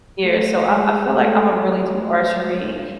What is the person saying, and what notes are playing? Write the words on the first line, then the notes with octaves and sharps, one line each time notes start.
years, so, I I feel like I'ma really do archery
A3
G#3
A3
A3
A3
G#3